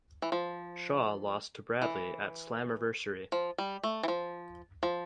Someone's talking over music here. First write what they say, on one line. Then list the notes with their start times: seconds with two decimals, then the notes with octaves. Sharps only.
Shaw lost to Bradley at Slammiversary.
0.22 E3
0.32 F3
1.82 E3
3.32 F3
3.58 G3
3.83 A3
4.03 E3
4.08 F3
4.83 F3